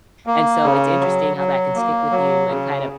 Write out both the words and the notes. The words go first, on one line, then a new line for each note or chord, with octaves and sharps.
and so, it's interesting how that can stick with you and, kind of,
A#3
C#3
F#3
F#3
A#3
F#3
C#3